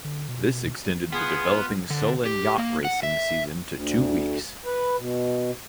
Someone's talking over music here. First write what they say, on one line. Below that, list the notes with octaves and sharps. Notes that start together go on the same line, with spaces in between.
This extended the developing Solent yacht racing season to two weeks.
D3
B2
B3 F4 G#4
D3
G4
A#3
F#5
E5
D2
B4
B2